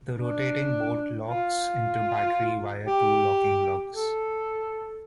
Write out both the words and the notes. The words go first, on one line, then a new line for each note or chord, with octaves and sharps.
The rotating bolt locks into battery via two locking lugs.
D4
F4
G4
A4